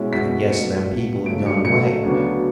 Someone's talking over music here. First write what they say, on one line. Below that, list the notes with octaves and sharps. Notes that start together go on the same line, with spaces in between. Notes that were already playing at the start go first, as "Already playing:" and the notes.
But I guess them people have gone away.
Already playing: B2 G#3 C#4 E4
B2 G#3 C#4 E4 B6
C#2 B2 A3 C#7
C#2 B2 A3
C#3 F#3 A3 D7
C#7
C#3 F#3 A3 C#7
D2 C#3 F#3 B3 D4